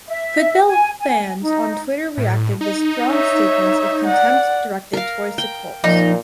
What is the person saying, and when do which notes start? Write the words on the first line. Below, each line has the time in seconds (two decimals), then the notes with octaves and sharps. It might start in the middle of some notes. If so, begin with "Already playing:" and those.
Football fans on Twitter reacted with strong statements of contempt directed toward the Colts.
0.08 E5
0.67 G#5
1.01 G#5
1.41 D#4
2.18 A2
2.61 D#4
3.07 C#5 E5
4.05 D5 F#5
4.93 A#4 F5
5.38 G5
5.84 A#2 F3 D#4